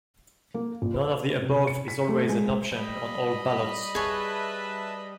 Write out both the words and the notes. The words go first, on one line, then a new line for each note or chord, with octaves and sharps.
None of the above is always an option on all ballots.
A#3
A#1
B4
C3
C#7
B6
A3
G#3
G3 D#5 B5
G#4 B4 C#5 E5 A5